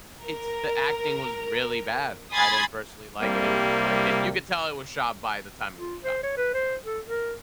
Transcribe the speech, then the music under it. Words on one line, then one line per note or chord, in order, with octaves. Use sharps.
it's the acting was really bad. I didn't personally like it. It was just like i you could tell it was shot by the time it was shot, you know?
A#4
G#5 B5 C6 D#6 G#6 A6
C2 C3 G3 A#3
F4
C5
C#5
B4
C5
A4
A#4